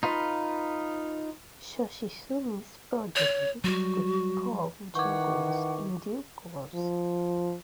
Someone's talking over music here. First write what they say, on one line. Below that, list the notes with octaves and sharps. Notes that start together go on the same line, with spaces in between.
Yoshizumi's progeny would become shoguns in due course.
D#4 F4 B4
C#5
F#3 G3 F#4
D#3 E3 F#5 C#6 D6
F3